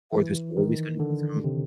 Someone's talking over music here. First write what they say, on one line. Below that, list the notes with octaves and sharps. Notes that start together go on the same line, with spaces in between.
or there's always gonna be some
E3
D#3
D3
C3